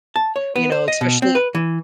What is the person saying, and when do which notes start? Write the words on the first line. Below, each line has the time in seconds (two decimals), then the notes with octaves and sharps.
you know, especially at
0.16 A5
0.36 C#5
0.56 B3
0.72 C5
0.88 D#5
1.01 B2
1.22 C4
1.35 B4
1.55 E3